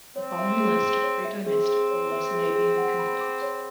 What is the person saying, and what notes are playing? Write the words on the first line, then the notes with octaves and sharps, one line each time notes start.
The following list of predynastic rulers may be incomplete.
C4 C#5
E5
G#4
G#4
C#5
E5
C4 G#4
G#4
C#5
E5
G#4
G#4
F#5
B5
D6
C#5